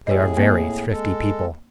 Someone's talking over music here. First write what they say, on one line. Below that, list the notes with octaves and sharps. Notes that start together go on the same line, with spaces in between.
They are very thrifty people.
A2 G4 G#4 C#5 D#5
A#3 C4 D#5
G#3 A4